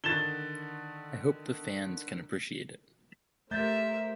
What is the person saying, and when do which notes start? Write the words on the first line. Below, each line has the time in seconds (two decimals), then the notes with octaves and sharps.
I hope the fans can appreciate it.
0.04 D3 D#3 A6 E7 G7
3.51 A3 G4 A#4 C5 E5 G6 A6